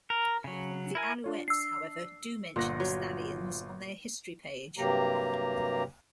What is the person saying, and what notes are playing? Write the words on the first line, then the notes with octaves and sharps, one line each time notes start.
The Alouettes, however, do mention the Stallions on their history page.
A#4
C#3 F#3
E4 A#4 G#5
D4 F4 C#5
D4 E6 C7
G1 A#2 F4 F#5 A#6
F#3
G2 C3 F#3 A#3 G4 A#5